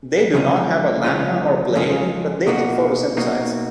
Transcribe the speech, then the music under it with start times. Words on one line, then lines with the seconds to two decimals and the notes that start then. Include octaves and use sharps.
They do not have a lamina or blade, but they can photosynthesize.
0.34 F2 C#3 G#3 C#4 F4
1.04 F2 C#3 G#3 C#4 F4
1.75 F2 C#3 G#3 C#4 F4
2.47 B2 A#3 D#4 F#4
3.17 B2 A#3 D#4 F#4